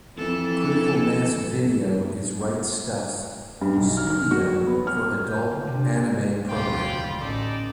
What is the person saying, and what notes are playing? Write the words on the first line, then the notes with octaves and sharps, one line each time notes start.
Critical Mass Video is Right Stuf's studio for adult anime programming.
F2 E3 A4
G2
B1
F6
F6
F#4
F#3
B3
F6
G6
D3
C3
D2 B2 G3 F4 F5 G5 B5
A1 C#4 D#4 A4 D5